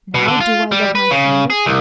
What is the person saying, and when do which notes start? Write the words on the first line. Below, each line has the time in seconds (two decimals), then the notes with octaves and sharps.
Now do I love my finger?
0.15 B2
0.28 D3
0.41 F4
0.72 G3
0.95 B4
1.10 C#3
1.50 G#4
1.66 C2